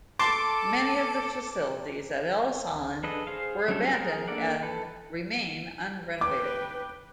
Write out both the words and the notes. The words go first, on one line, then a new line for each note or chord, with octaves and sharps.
Many of the facilities at Ellis Island were abandoned and remain unrenovated.
A4 A5 C6 D6
D4 G#4 A4 B4 D#5
G#4 C5 F5
F#3 G3 C#4 D4 A4
G#4 A#4
A#3 D4 A4 D5 F#5
A4 B4
B4 G5 D6